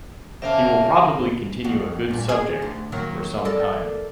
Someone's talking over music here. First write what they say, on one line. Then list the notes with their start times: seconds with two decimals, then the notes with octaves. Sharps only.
He will probably continue a good subject for some time.
0.42 C#3 A#3 C4 E5 F5 A5
1.64 F2 F#4
2.11 G2 A#2
2.29 G#4
2.62 D2
2.92 D#3 F#3 A#3
3.45 A4 A#4 D5